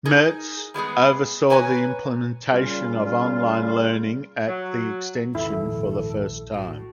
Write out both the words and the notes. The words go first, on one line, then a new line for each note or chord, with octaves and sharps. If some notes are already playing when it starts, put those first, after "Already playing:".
Metz oversaw the implementation of online learning at the extension for the first time.
D#4 G#4 A#4
G3 G#3 B3 G#4
B4 C#5 G#5 A#5
A#2 C#3 G3 C#4 F4
F#3
G#1 E2 E4 A4
A#1
A2 F#4